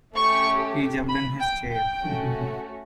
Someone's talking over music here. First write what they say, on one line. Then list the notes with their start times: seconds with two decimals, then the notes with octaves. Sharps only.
He jumped in his chair.
0.15 A3 C#4 G4 C#6
1.09 B5
1.40 G5
1.71 G5
2.02 A3 C#4 F#4